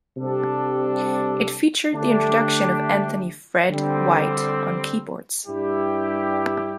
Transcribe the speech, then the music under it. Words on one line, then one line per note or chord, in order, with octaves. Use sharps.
It featured the introduction of Anthony "Fred" White on keyboards.
C3 G3 D4 A4
D3 A3 D4 G4
D3 G3 C4
G2 G3 E4 G4